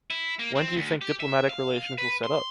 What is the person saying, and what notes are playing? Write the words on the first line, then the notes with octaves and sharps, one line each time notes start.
When do you think diplomatic relations will set up?
E4
A#3
C4
D2
G4
E5
F5
B4
C6